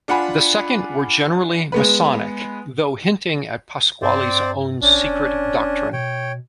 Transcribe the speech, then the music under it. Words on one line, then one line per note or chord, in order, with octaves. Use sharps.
The second were generally Masonic, though hinting at Pasqually's own secret doctrine.
D4 F4 F#5 G#5 B5
G#3 B3 B4
G2 C4 C5 D5
A1 C#4 D4
F1
B2 C#5 G5